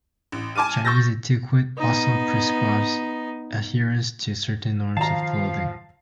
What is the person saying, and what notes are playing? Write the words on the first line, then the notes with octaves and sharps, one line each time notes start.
Chinese etiquette also prescribes adherence to certain norms of clothing.
A1
G#5 A5 D6 F6 D#7
C#6 E6 G6 A6 A#6
B3 D#4
D#3 F3 F5 A5 A#5